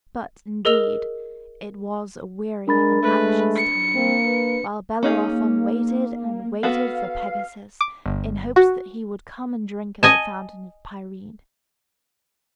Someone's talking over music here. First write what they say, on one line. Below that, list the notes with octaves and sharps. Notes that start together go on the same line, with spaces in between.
But, indeed, it was a weary and anxious time, while Bellerophon waited and waited for Pegasus, in hopes that he would come and drink at the Fountain of Pirene.
G#4 A#4 D#5 E6 F7
G#3 D4 A#4 B5 A6
G#3 A3 B4
C#7
A#3 C4
B4
A#3 C#4 D#4 G#4
B3 F#4 A4 F5
D6
G1
F#4
D#5 G#5 A5